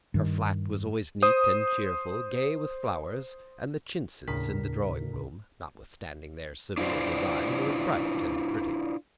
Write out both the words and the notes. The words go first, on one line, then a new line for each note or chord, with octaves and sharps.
Her flat was always neat and cheerful, gay with flowers, and the chintzes in the drawing-room, notwithstanding their severe design, were bright and pretty.
G2 D#3
C5 D#6
D#2 A2 C#3 D4 A#4 B6
D4 E4 F4 B4 C5 D5